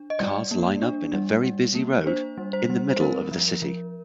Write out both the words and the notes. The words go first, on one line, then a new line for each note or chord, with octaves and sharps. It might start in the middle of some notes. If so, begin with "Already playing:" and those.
Cars line up in a very busy road in the middle of the city.
Already playing: D4
D#5
G3 D5
A#3
D4
G3
G3
A#3
D4 C5
G3
C5
G3
C5
C4 A#4
F3
F3